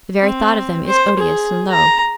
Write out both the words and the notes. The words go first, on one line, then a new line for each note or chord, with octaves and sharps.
The very thought of them is odious and low.
C4
C5
G#4
A#5